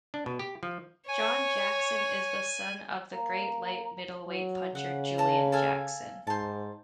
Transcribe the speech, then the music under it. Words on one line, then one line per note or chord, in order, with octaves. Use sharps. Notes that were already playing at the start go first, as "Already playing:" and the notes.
John Jackson is the son of the great light-middleweight puncher Julian Jackson.
D4
B2
G4
F3
C#5 G#5
A#3 A#5
F#3
C#3 F#5
A5 A#5
A4 F5 G#5
G#2 C5 A5